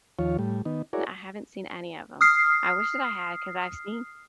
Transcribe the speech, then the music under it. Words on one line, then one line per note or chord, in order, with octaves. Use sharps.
I haven't seen any of them. I wish that I had, 'cause I've seen
D#2 F3 F4 C#5
A2 G3
D#3 B3 D#4
E4 F#4 G#4 A#4 C#5 D5
D#6 F6 C7